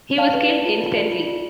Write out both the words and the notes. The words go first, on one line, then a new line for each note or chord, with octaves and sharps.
He was killed instantly.
D5 F5 A5
B4
D5
F4
F4
D5
F4
F4